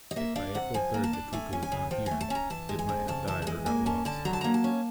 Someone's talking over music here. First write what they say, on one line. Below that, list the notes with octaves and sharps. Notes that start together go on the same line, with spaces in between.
If by April third the cuckoo is not hear, it might have died or got lost.
D#5
A#3 E5
D4 F5
C3 F#5
F3 G#5
A#3
A5
D4
A3 G#5
C#4
G#5
C#3
F3 G5
G#5
A3
A5
C#4 A#5
E3 A5
G#3
G#5
F2
C#3 A5
E3 A5
A5
G#3 G#5
A#3 G#5
C#4 A5
D3 A5
F#3 A#5
A5
A#3 A#5
A5
C#4